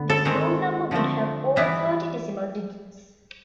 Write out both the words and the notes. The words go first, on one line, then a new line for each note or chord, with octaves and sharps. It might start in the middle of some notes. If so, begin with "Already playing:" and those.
This room number would have over thirty decimal digits.
Already playing: D3 B3
A4
D#3 G#3 C4
D3 F3 A3 C4
E3 G3 B3 E4